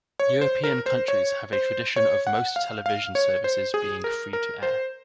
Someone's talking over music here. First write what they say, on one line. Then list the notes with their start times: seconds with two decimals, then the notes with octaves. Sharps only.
European countries have a tradition of most television services being free to air.
0.20 C#5
0.41 C5
0.64 A#4
0.86 C5
1.08 C#5
1.53 C5
1.96 C#5
2.27 F#5
2.56 F5
2.86 F5
3.15 C#5
3.44 C5
3.74 G#4
4.04 A#4
4.33 A#4
4.63 C5